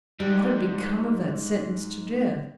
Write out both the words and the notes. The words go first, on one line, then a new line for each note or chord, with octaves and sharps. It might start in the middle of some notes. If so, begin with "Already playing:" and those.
What had become of that sentence to death?
G#2 G3